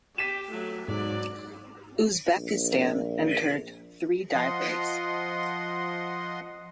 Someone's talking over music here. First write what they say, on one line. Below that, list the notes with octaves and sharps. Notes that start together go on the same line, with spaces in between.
Uzbekistan entered three divers.
G4 B6 D#7 E7
F#3 A3
G#2 F#3 D5
A#1
F3 D#5 F#5 C6